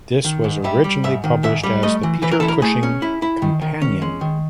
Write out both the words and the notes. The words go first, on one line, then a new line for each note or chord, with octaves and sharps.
This was originally published as "The Peter Cushing Companion".
D#3
G#2
G3 E5
G3
G#2 E5
D#3
G#2 E5
G3
A3 D#5
E3
E3 B4
A#4
E4 A4
A#4
A3 G#4
C#4
E4
E4
D#3
D#3
C#4
G#3
D#3